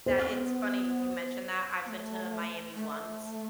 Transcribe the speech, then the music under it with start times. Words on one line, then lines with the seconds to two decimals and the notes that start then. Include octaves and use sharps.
That it's funny you mentioned that. I've been to Miami once,
0.06 B3 C5
0.18 C4
0.30 B3
1.85 B3
1.89 A3
2.74 A3